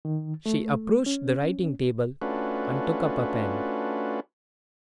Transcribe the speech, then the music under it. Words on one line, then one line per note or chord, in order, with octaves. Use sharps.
She approached the writing table, and took up a pen.
D#3
A3
C#4
A3 C#4 D4 F4 F#4 B4